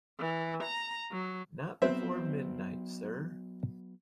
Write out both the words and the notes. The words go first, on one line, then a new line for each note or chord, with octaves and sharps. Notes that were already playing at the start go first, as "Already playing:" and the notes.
Not before midnight, sir.
E3
A#5
F#3
F#3 B3 C4 C5 E5